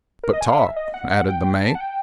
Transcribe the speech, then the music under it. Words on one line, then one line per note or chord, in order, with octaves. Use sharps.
"But talk," added the mate.
A#4
D#5
G#5
F5
E5
D#5
F#5
F#5
G5
A5
F#5
G5